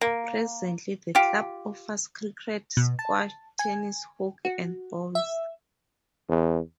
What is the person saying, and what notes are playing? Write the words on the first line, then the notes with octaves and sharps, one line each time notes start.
Presently the club offers cricket, squash, tennis, hockey and bowls.
A#3
F4 G4
B2
A5
G#5
F#4
E5
E2